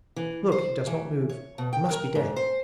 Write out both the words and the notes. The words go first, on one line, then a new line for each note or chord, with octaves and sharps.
Look, he does not move--he must be dead!
E3
C5
E3
C#5
B2
G5
A#4
G#2
C5